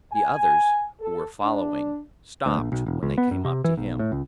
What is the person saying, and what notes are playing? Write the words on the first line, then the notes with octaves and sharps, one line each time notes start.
The others, who were following, stopped when they came up to him.
G#5
A4
D4
D2
A#1
B1
E1
C#2
B3
F#2
C3
E3
B1
A2
C#2